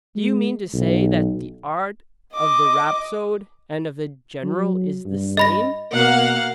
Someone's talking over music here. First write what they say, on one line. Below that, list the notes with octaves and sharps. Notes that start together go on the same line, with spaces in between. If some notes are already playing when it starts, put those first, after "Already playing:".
Do you mean to say that the art of the rhapsode and of the general is the same?
G#3
B1
D#5 D6
F#3
G2
D#5 B5 A#6
B2 A#3 F5 F#5